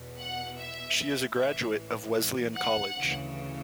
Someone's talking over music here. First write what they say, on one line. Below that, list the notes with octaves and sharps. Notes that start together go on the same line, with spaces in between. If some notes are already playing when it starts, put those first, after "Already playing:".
She is a graduate of Wesleyan College.
Already playing: E2 B2
F#5
E5
A1 A2 E3 E5
F#5
D2 C#3 E3